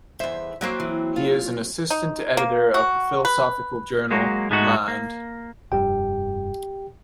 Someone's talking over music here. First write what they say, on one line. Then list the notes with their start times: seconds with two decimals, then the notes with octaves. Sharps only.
He is an assistant editor of the philosophical journal "Mind".
0.20 E2 C5 E5
0.61 F#3 A#3 C4
0.80 E3
1.16 F4
1.90 D#4
2.37 A#3
2.74 F#4
3.25 B4
4.11 F#3 G#3 A#3 F#4
4.50 G#2 G#3 A3 D#4 F#4
4.88 A#3
5.72 F1 G2 G4 G5